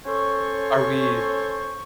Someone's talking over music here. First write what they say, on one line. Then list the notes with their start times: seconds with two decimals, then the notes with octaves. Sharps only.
are we
0.06 C#4 A4 C5 C#5 C#6